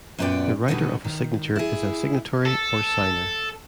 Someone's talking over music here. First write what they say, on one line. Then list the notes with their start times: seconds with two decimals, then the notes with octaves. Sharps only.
The writer of a signature is a signatory or signer.
0.19 F#2 A#2 B3 D#4 D5 G5
0.68 B2 D3 E3 G3 B3 D#4
1.04 D#3
1.56 E4 G#4
2.45 A4